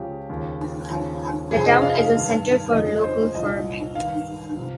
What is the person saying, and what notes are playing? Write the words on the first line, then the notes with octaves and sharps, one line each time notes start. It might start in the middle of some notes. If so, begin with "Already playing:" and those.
The town is a center for local farming.
Already playing: C#2 C#3 F3 G4
D#2 C#3 F3
D#2 C#3 F3
F2 C3 F3 G#4
D#5
F5
F5
G2 D#3
F2 C#3 F3 D#5
C5
C2 A#2 F3 D#5
G2 D#3 F5
C3 F3